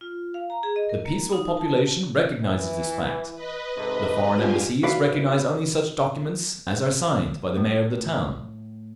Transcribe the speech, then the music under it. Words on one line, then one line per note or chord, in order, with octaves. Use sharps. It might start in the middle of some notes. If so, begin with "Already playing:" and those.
The peaceful population recognises this fact; the foreign Embassies recognise only such documents as are signed by the Mayor of the town.
F4
F5
A#5
G#4
D#5
A#4
A#3
D#4
A5
E3
B4 D#5
G#2 C3 A4
B2 G3 D4 F4 G4 G#5
F#4 B4 D5 E5 F5
A2